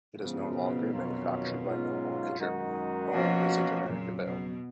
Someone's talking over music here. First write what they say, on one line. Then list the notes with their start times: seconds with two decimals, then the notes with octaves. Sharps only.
It is no longer manufactured by Knoll in Germany, nor is a generic available.
0.17 G#2 C#3 F3 B3
0.55 B2
0.91 F2 D#3 F#3 C#4 F4
1.65 G#2 F#3 C#4 F4
2.39 F#2 D#3 G#3 D#4 F#4
3.12 B2 F3 A#3 C#4 F#4
3.86 F2 A#2 C#3 F#3
4.23 B2